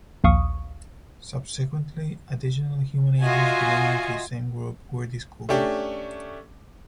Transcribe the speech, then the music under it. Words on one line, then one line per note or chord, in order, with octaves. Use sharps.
Subsequently, additional human agents belonging to the same group were discovered.
A#1 D#2 F5 C#6 D#6
F4 F#4 D#5 E5 G#5
A3 C#4 D4 G4